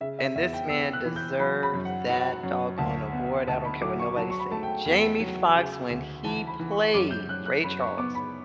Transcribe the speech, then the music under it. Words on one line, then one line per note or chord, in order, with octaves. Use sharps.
And this man deserves that doggone award, I don't care what nobody say. Jamie Foxx when he played Ray Charles,
C#3 E5
E5
E2 E5
G5
B3 E6
F#6
E3
G6
F#3 B5
B5
F#2
F#5
F#3 F#5
F#5
F#2
D2 A5
B3
D2 A5
B5
F#3 D6
C#6
F#3 A5
C#6
B5
A3 A5
G5
E2
F#3
C#3
D2
E3 A5
B5
E3
C#6
F#2 D6
G6
F#2 F#6
F#6
F#2 B5
C#6
B3 D6
B5